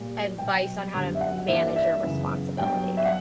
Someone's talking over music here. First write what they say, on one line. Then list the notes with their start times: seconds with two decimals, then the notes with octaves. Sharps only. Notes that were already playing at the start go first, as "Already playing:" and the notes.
advice on how to manage your responsibilities?
Already playing: A#2 G3 A#3
0.38 B2 F#3 B3 G5
0.94 F#2 D3 G3 B3
1.15 E5
1.21 F#5
1.48 G2 E3 A#3 E5
1.69 D5
1.76 E5
2.03 F#2 C#3 E3 B3
2.58 G2 F#3 B3 G5
2.97 E5
3.05 F#5